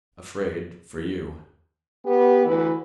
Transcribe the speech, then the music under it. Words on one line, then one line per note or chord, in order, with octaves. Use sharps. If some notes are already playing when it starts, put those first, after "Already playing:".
"Afraid--for you!"
B3 G4
D2 E3 E4 B4